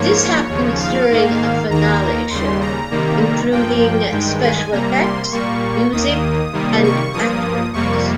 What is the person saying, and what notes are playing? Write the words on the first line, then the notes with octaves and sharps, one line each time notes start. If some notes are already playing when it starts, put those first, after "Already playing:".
This happens during a finale show, including special effects, music and actors.
Already playing: G#2 F3 A#3 C#5
D#2 C#3 F3
F5
G#2 D#3 A#3
D#2 D#3 A#3 A#5
D#2 C#3 G3 C6
A#5
C3 D#3 G3 A#3
G2 F3 A#3 G5
G2 D#3 G#3
G#5
C3 G3 A#3 A#5
C6
A#2 G3 A#3 C#6
D#2 D#3 A#3 D#6
C3 D#3 G3 A#3
C#6
G2 F3 A#3 D#6
F2 C3 G3 A#3 C#6